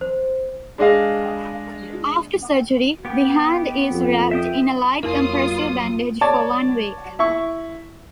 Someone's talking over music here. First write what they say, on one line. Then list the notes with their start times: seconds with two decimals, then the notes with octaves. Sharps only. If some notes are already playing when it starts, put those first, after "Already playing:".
After surgery, the hand is wrapped in a light compressive bandage for one week.
0.01 C5
0.78 G#3 D4 G#4 D#5 F5
3.05 B3 G4
3.91 F2
4.31 E5 G5 D#6
5.03 F2 F#3 A#3 E4 F4 A#4 D#6
6.21 C#5 D5 A5
7.19 E4 C#6